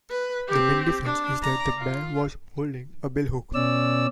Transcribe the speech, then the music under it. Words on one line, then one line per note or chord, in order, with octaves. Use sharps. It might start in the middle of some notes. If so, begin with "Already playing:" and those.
The main difference is that the bear was holding a billhook.
B4
C4 G4
D4
D5 A#5
F4
B2 C#4 D5 E6